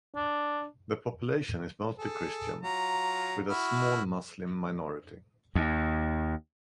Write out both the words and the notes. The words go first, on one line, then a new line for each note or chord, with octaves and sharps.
The population is mostly Christian with a small Muslim minority.
D4
G#4 A4
F#3 F4 A#5
E4 F#4 F6
D#2